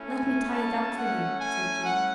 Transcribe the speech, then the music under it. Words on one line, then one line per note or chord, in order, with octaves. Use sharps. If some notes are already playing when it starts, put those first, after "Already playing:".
"Let me tie it up for you," said Jean.
Already playing: A3 C#4 E4
G#5
A5
F#5
G#5
F#5